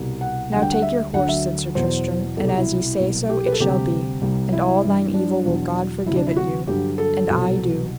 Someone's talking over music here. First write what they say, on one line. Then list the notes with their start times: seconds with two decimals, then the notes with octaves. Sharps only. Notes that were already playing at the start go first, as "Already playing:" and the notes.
Now take your horse, said Sir Tristram, and as ye say so it shall be, and all thine evil will God forgive it you, and I do.
Already playing: C2 B2 G3
0.21 F#5
0.51 D2 D3 G3 F#5
0.63 G5
0.72 F#5
0.82 E5
1.13 D2 D3 F#3 F#5
1.28 E5
1.75 E2 B2 F#3 C5
2.37 C2 B2 G3 A4
2.47 G4
2.57 E4
2.99 C2 B2 F#3
3.29 G4
3.46 B4
3.52 A4
3.60 D2 C3 G3 G4
4.21 C2 C3 G3
4.53 E4
4.83 G2 E3 G3
5.14 D4
5.44 E2 B2 F#3
6.06 D2 C3 F#3 E4
6.16 D4
6.26 E4
6.37 F#4
6.67 G2 D3 F#3 G4
6.98 A4
7.29 C2 B2 F#3